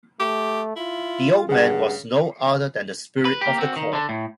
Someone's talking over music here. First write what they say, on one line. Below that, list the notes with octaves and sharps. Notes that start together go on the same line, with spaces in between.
The old man was no other than the Spirit of the Corn.
A3 G4
E4 F4
G2 C#3 G#4 F#5
B4
A#3 G4
C4 F#4
D#3
D3 D4
A2